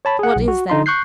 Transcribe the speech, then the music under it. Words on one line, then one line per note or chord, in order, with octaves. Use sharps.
What is there?
C#5 A5 B5
G#4 F#5
B1
F#4
D3 D#4 C6
C#6 F#6 G6 C7